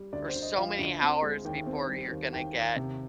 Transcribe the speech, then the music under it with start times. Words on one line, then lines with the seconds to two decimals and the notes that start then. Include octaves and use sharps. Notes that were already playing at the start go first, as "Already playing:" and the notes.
or so many hours before you're gonna get
Already playing: G3
0.13 D2 D5
0.28 C5
0.35 D2
0.42 D#5
0.57 F3 F5
0.79 D2
1.02 C4
1.22 G#3
1.45 D#2 G5
1.66 C4
1.88 G3
2.10 D#2
2.33 D#2 G5
2.54 D#2
2.76 C3